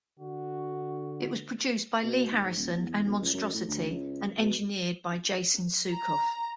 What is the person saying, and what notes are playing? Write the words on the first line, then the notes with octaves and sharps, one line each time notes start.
It was produced by Lee Harrison and Monstrosity and engineered by Jason Suecof.
D3 F#4
B2
D#2
G#2
D#1
E2
B1
C#2
F#2
A2
D2
C#2
B2
A#5